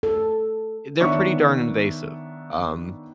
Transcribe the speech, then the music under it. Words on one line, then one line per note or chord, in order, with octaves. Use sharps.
they're pretty darn invasive. Um,
A4
D#3 B3 D4 C#5 E5 C#6